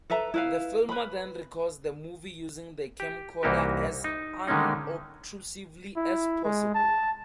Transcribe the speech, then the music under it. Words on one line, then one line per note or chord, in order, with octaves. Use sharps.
The filmer then records the movie using the camcorder as unobtrusively as possible.
A4 B4 E5 A#5
E4 B4 F5
B4 B5
G4
C2 E3 A#3 D#4 F#4 G4
D#4
D3 D#3 G#3 A#3 C#4 D#4
E4
G#3
A5